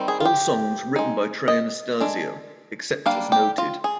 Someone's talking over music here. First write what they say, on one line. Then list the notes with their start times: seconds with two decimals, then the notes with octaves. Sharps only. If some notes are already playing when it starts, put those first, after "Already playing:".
All songs written by Trey Anastasio, except as noted.
Already playing: D#3 G3 C4
0.08 G#4
0.20 F4
0.25 G4
0.96 G#3 D#4
1.48 D#5
2.00 G#3 D4
3.06 G3 A#3 D4 F5
3.32 G4
3.58 F4
3.84 G#4